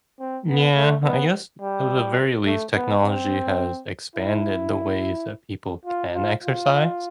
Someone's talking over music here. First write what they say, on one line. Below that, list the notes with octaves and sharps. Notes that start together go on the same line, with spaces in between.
Mm yeah, I guess, at the very least, technology has expanded the ways that people can exercise,
C4
B3
A3
B3
G3
A3
B3
C4
E4
F4
F4
F4